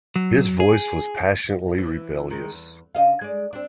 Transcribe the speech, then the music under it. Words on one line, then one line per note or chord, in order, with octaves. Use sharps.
His voice was passionately rebellious.
F#3
G#4
E3
D#3 G#3
E2
C#3 D#5 F5
G#3 D5
C4 D4